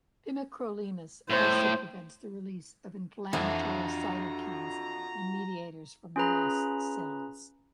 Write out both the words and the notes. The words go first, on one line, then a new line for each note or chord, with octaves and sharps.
Pimecrolimus also prevents the release of inflammatory cytokines and mediators from mast cells.
A2 C5
F2 E3 F3 D4 F4 F#4 E5 A#5
C#4 F4 G#4 B4 A#5 B5